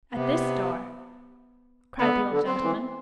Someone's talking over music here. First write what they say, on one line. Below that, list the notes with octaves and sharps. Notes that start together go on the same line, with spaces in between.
'At this door!' cried the old gentleman.
C3 B3
D3 B3
D3
C4
E3